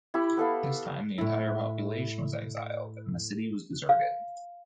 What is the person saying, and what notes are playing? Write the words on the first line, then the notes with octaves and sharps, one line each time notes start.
This time the entire population was exiled, and the city was deserted.
E4 G4 B5 C#6
B3 A4 F5
A2 E4
F5